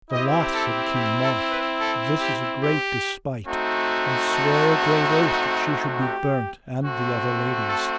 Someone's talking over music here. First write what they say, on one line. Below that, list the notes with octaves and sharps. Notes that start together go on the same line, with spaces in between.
Alas, said King Mark, this is a great despite, and sware a great oath that she should be burnt and the other ladies.
C4 E4 G4 D#5
A4
G4
A4
B4
A4
G4
G4
A3 C4 D#4 F#4
A4
G4
A3 C4 F#4
A4